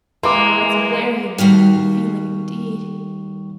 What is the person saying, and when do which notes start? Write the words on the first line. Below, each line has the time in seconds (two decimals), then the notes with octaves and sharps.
It's very uncomfortable feeling indeed.
0.23 E3 G#3 A#3 C6 D6
1.38 D#2 G3 F#4 F5